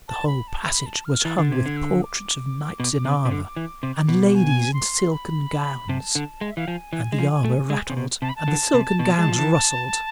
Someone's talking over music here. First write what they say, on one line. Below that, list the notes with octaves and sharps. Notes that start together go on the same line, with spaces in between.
The whole passage was hung with portraits of knights in armor, and ladies in silken gowns; and the armor rattled, and the silken gowns rustled!
A5
B5
A5
B5
A5
F6
E3 A6
D3
C3 G#6
D3
E6
D6
B2
C3
C3
D3
E3
C3
B2
G#5
C6
B5
C3 A5
D3
G#3
E5
E3 F5
F3 G#5
E3
G#3
F3
A3
G#3
C3
B2
C3 A5
B5
A5
D3
C3
B2
G#3
F3
E3